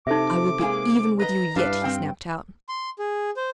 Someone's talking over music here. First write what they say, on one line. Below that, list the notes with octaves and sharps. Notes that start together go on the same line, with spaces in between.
'I will be even with you yet,' he snapped out.
C3 D#4 A4 E5 D6
G#3 A#3 G#4
B4 D#5 A#5
G2 D4 E4 B4 F5
C4 G5
C6
G#4
C5